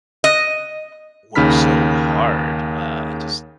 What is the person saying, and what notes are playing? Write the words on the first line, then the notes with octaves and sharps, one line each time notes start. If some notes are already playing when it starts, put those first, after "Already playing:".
work so hard, uh, and just
D#5
D#2 C#3 D#4 B5 F6 B6